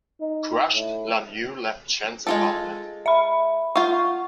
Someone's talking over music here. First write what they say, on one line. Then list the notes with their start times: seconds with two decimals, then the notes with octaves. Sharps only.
Crushed, Lan Yu left Chen's apartment.
0.20 D#4
0.73 A2
2.27 G#3 F4 A4
3.06 E5 B5
3.76 F4 F5 F#5 C#6